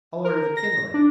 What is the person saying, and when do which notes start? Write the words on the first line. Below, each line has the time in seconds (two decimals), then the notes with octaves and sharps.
I'll order the kindling!
0.25 A#4
0.57 A#6
0.94 D4